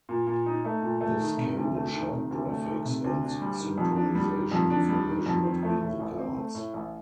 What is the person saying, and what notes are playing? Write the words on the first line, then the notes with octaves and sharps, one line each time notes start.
This cable shared graphics and synchronization information between the cards.
A#2
A#2
D#4
A3
A#2
A3
D#3
C3
D2
A3
D#3
C3
D2
A3
D#3
C3
D2
D4
G3
D#3
F2
D4
G3
D#3
F2
D4
G3
D#3
F2
C4
A3
A2
A1
C4
A3
A2
A1